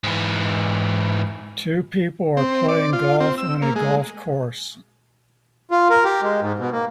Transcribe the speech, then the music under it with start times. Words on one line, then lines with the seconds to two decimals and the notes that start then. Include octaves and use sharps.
Two people are playing golf on a golf course.
0.04 G#2 E3
2.37 C4
2.69 D5
2.93 F4
3.20 C4
3.38 E6
3.62 A#3
3.76 G#3
5.71 F4
5.90 A#4
6.04 G4
6.22 G#3
6.41 G#2
6.59 B2
6.72 A#3